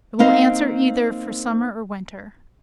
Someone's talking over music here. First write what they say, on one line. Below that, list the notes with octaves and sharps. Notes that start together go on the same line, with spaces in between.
It will answer either for summer or winter.
A#3 C4 D#4 F5